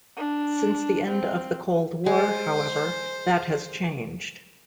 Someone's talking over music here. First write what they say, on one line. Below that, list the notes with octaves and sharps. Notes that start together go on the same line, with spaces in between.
Since the end of the Cold War, however, that has changed.
D4
C4
G#3 C5